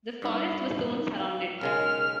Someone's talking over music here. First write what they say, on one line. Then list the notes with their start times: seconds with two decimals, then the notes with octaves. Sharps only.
The forest was soon surrounded.
0.22 G2 D#4 E4
1.15 F5
1.61 B1 C#3 G#3 A#4 F6